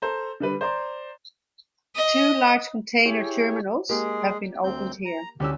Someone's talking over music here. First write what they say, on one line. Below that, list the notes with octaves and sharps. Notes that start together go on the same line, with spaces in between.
Two large container terminals have been opened here.
A4 C5 A#5
D3 G3 B4
C5 D5 A#5 C6
D#5
E4 G4 G#4 C#5
G#3 A#3 G4 G#4
D2 C4 G6
A#5
D2 C#4 G4 E6